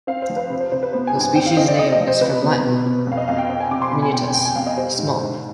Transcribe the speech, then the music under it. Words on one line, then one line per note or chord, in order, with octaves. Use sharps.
The species name is from Latin "minutus", "small".
C4 F5
C5
F3
B4
C3
C5
C3 C5
B4
B3 C5
G#5
G2
G#5
C4 G5
F5
C4 D#5
D5
C3 D#5
D#5
F3
C5
C3 B4
B3
B2
B2
F2
F5
D#5
F2 F5
G5
C4 G5
G#5
C3 D6
C6
B2 B5
G#5
B2 G5
F2 G5
G#5
F2 F5
D#5
G3 C5
G#2
D3